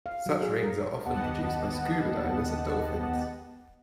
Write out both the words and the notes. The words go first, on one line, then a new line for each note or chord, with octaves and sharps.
Such rings are often produced by scuba divers and dolphins.
F5
F#3
G#4
A#4
D#2 B3 G4 D#5 F#5 A5